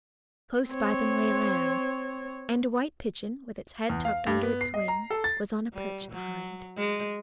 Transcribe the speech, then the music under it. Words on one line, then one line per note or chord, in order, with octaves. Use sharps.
Close by them lay a lamb, and a white pigeon, with its head tucked under its wing, was on a perch behind.
C4 C#5
E2
F5
G2
B3
C7
D#5
A#5
A4
A6
G3
F#3
G#3